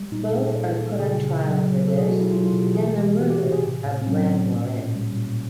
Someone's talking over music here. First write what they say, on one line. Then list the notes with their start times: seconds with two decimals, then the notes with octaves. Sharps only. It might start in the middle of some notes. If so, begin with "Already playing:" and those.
Both are put on trial for this and the murder of Grandmorin.
Already playing: G3
0.12 A#2 D#4
0.25 A4
0.34 A#2 G#4
0.56 A#2
0.78 A#2
0.99 C#3 G#4
1.22 C#3
1.43 F#3
1.66 F#3
1.87 B2 A4
1.98 G#4
2.09 F#3 F#4
2.21 E4
2.31 F#3 F4
2.46 F4
2.53 B2
2.60 G4
2.75 E3 G#4
2.98 E3 G4
3.19 E3 F#4
3.30 G4
3.41 C3 F#4
3.53 G#4
3.63 A2
3.86 A2
4.02 C4
4.07 F#3 C#4
4.29 A2
4.51 A#2
4.74 A#2
4.96 G3
5.17 A#2